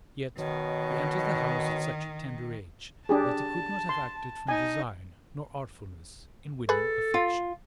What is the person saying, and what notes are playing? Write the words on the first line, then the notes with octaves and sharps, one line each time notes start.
Yet he entered the house at such a tender age that he could not have acted from design nor artfulness in winning affection.
B2 D#3 C#5
D4 G4 G#4 A5
C6
D#4 G#5
G#4 A4 B4
F4